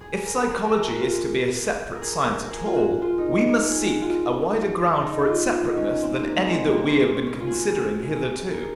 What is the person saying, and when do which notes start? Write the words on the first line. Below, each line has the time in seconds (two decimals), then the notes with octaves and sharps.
If psychology is to be a separate science at all, we must seek a wider ground for its separateness than any that we have been considering hitherto.
0.01 G#4
0.26 A#4
0.51 G#4
0.63 A#4
0.76 F#4
0.88 F#4
1.01 F4
1.95 A#4
2.01 G#4
2.42 A#4
2.51 G#4
2.65 F4
2.76 F#4
3.02 F4
3.18 D#4
3.68 G#4
3.85 F#4
4.02 F4
5.02 D#4
5.27 F4
5.51 F4
5.64 D#4
5.77 C#4
5.89 C#4
6.02 C4
6.18 A#3
6.36 G#3
6.52 C4
6.65 A#3
6.78 C4
6.90 C#4
7.02 C4
7.14 C#4
7.27 C#4
7.40 F4
7.47 F#4 G#4
7.77 F#4
8.03 G#4
8.52 A#4